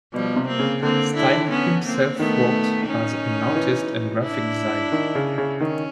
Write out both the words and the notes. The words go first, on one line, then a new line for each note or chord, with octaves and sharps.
Steig himself worked as an artist and graphic designer.
B2 F3 G3
C3
A#3 C4
C#3
D3 A#3 C4
D4 E4
B3 C#4
A#3 C4
D#3 A3 B3
C#4 D#4
D#3
E3
D4 E4
D#3
C#3
C#3
D#3 C#4